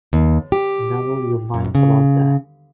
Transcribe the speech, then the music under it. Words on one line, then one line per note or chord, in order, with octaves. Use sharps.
Never you mind about that!
D#2
G4
F#2
C#3